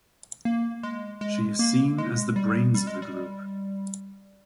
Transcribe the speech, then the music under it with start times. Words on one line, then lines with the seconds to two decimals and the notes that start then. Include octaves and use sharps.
She is seen as the brains of the group.
0.45 A#3
0.83 G#3
1.21 G#3
1.59 A#3
1.98 G#3
2.36 G3
2.74 G3
2.87 G#3
3.02 G3